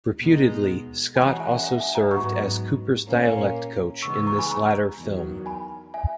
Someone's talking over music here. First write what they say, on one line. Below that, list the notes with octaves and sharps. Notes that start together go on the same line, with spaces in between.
Reputedly, Scott also served as Cooper's dialect coach in this latter film.
B2 G#3 B3 D#4
E3 G#3 C#4 F#4 G#5 B5
F#5 A#5
E5 G#5
F#5
E5
E5 G#5
F#5 A#5
G#2 F#3 B3 A#5 C#6
A#2 A#3 C#4
C#3 E3 G#3 B3 D#4 C#6 E6
C#6 E6
A#5 C#6
G#5 B5
A#5 C#6
E2 D#3 F#3
G#5 B5
E5 G#5